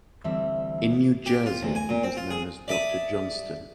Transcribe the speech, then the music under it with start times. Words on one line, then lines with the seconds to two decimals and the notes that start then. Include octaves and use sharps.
In New Jersey he was known as Doctor Johnstone.
0.24 D2 E3 G3 C4 E5
1.26 G4
1.46 F4
1.63 D2
1.75 G#5
1.89 A#2
2.03 C4
2.17 F4
2.31 G#4
2.68 D5 E5 A5 D#6